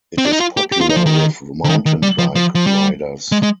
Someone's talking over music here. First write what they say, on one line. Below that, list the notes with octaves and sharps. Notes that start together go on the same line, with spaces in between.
It is popular with mountain bike riders.
C4
D4
D#4
F4
G4
G4
F4
D#4
F3
D#3
D3
D#3
D#3
G3
F3
F3
F3
G3
G#3
G#3